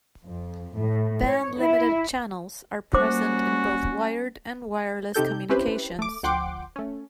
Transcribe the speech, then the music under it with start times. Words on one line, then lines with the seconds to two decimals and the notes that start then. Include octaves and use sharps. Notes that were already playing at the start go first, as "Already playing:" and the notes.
Bandlimited channels are present in both wired and wireless communications.
0.25 F2
0.76 A2
1.26 C#5
1.60 E4
2.94 G3 A#3 C#4 F#4 C5 D6
5.14 C3 D#4 G4 A4 G6
5.49 C4 C#4 E4 G4 B4 C5
5.99 A3 D6
6.23 D2 F3 F#5 G5 C6 D6
6.76 A3 C#4